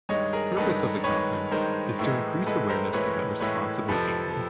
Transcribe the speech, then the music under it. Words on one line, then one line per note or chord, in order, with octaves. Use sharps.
Purpose of the conference is to increase awareness about responsible gaming.
G2 D#3 G#3 C#5 D#5
G#4 A#4
G2 D#3 G#3 A4 B4
G2 D#3 G#3 B4 C#5
G2 D#3 G#3 A#4 C5
A2 E3 G#3
A2 E3 G#3 A4 B4
A#4 C5
A2 E3 G#3 B4 C#5
A2 E3 G#3 B4 C#5
F2 C3 F3 A4 B4
A4